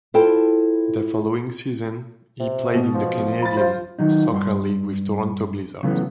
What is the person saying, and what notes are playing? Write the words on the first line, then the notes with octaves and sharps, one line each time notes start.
The following season he played in the Canadian Soccer League with Toronto Blizzard.
E4 F4 A4 C5 G5 A5
C3
B2
F3
B5 A6
F4 C5
D#3 F#3 D#4
G2 G4 C6
C#3 E3 F#3 A3 B3